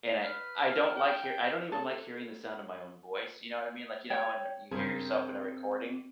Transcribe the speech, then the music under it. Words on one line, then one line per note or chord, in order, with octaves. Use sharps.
and I I don't like hear I don't even like hearing the sound of my own voice, you know what I mean? Like, you know how when you hear yourself in a recording?
B4 F6
G5
A4
C#5 G5
G2 C#3 C4 G#4 A#4 C5